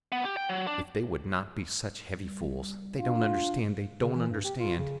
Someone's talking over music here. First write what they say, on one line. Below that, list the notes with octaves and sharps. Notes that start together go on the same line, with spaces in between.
"If they would not be such heavy fools: they don't understand; they don't understand."
B3
G4
G5
F#3
D4
G3
D4 F4
C#3
E3
G2
G4
F4
C#3